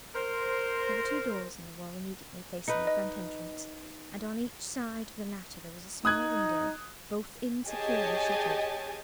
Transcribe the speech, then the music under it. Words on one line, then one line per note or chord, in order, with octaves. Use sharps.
There were two doors in the wall immediately facing the front entrance, and on each side of the latter there was a small window, both insecurely shuttered.
A#4 C5
D#4 B4 C#7
D#5
D#4 D#6 F#6 G#6
G4 G#4 C#5 D#5 G#5 A5